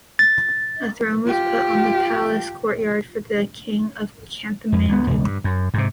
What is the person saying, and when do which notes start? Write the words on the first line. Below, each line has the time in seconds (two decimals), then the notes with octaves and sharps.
A throne was put on the palace courtyard for the king of Kathmandu.
0.19 A6
1.25 F4 G4
4.72 F2
4.89 D2 B3
5.07 E1 C#2
5.24 G2
5.44 F#2
5.74 G#2 C3